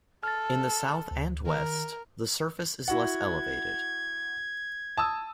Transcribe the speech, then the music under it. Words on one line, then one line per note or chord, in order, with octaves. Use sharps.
In the south and west, the surface is less elevated.
A4 F6 A6
D2
D#3 A#4
E4 F#4 F#5 G#6
A5 D#6 E6